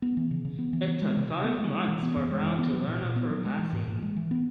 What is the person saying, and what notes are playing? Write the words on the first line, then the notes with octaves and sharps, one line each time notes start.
It took five months for Brown to learn of her passing.
B3
E3
C#3
C#3
B3
E3
B3
G#3
C#3
C#3
B3
G#3
G#3
E3
B3
F#2
G#3
E3
B3
F#3
A#2
A#2
B3
F#3
G#3
E3
G#2
G#2
G#3
E3
B3